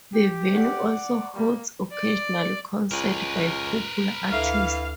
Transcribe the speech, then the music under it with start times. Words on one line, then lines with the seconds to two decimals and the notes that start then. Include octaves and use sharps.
The venue also hosts occasional concerts by popular artists.
0.14 G4
0.53 D5 F#5
1.34 G3 A#3
1.94 D5
2.91 C#2 A#4 B4
4.32 D2 E3 A4 E5 F5